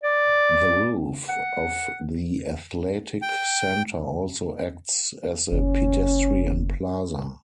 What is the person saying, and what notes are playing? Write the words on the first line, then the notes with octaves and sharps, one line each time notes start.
The roof of the athletic center also acts as a pedestrian plaza.
D5
F#5
G5
F#1 C#4